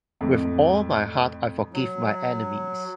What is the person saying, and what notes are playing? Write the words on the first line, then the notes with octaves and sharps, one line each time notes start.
With all my heart I forgive my enemies!
F2 A2
F#3